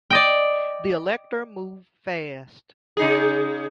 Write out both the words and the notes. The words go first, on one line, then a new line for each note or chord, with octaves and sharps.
The elector moved fast.
D5 D#5 G5
C#3 D#4 G#4